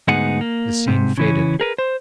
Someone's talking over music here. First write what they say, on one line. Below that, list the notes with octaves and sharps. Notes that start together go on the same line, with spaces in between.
The scene faded.
D2 G#2 B3 D#4 G#4 F#5
A#3
G#2 C3
C#3 E3 C#4
G#4 A#4 B4
C5